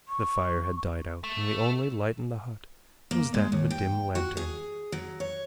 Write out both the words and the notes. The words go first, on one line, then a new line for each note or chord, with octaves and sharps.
The fire had died out, and the only light in the hut was that of a dim lantern.
C#6
A3
A#3
G#3
D#2
G5
F#4
G#4
F#3
C#5